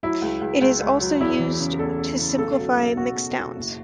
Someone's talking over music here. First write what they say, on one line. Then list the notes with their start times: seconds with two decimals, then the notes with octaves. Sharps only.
It is also used to simplify mixdowns.
0.03 F#3 E4
0.22 C#2
0.41 C#2
0.61 C#2
0.81 C#2
1.01 F#3
1.20 E2 E4
1.40 E3
1.60 C#3
1.79 E2 A4
1.99 C#3
2.19 C#3
2.38 B1 A4
2.58 F#3
2.77 B1
2.97 B2 F#4
3.17 B1
3.37 B2
3.56 F#1